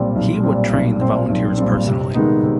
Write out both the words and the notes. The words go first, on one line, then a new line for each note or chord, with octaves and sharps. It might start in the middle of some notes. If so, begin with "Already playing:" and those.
He would train the volunteers personally.
Already playing: B1 A#2 G3 C4
B1
A#2 G3 C4
B1
A#2 G3 C4
B1
A#2 G3 C4
C3
D#3 G#3 B3 D#4
C3